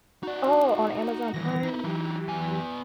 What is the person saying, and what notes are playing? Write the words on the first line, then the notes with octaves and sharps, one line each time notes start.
Oh, on Amazon Prime?
D#4 F#4 D5
D#3 E3 G3 A#6
D#4 E4
E3 F#3 G4
B3 G#5